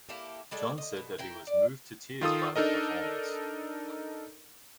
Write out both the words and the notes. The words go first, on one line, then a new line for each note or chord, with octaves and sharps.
John said that he was "moved to tears" by the performance.
A#3 E4 G4 A4
G3 G#3 A4 D5
D#5
B2
E4 A#4 G5
D5
D#3 F4 A4 D#6
D4 D#4 A4 A#4 D#5